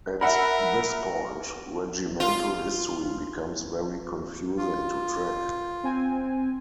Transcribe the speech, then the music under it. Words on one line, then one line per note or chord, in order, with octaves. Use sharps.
At this point, regimental history becomes very confusing to track.
A#4 E5 F#5 B5
F4
F4
C4 G#5